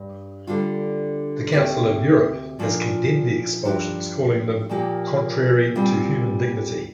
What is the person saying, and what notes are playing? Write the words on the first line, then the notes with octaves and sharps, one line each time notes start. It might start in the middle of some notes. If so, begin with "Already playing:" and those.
The Council of Europe has condemned the expulsions, calling them "contrary to human dignity".
Already playing: G2 D4
D3 G3 D4 F4
D2 C3 A#3 G4
A#2 F3 D4 F4 A#4
G2 F3 D4 G4 A#4
A#2 F3 A#3 G4 A#4
A#2 G3 C4 F4